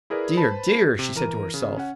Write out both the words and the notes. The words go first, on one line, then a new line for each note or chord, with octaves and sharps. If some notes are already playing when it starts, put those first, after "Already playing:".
'Dear, dear!' she said to herself.
E4 G#4 A#4 B4 D5
B4 C5 A5 B5
C3
E3 A#4 A#5 D#7
C#3
C#4 F#5